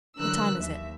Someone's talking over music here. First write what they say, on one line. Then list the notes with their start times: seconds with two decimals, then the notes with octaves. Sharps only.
"What time is it?"
0.17 D3 E3 F#3 A#4 E6 F#6
0.60 D#2 E5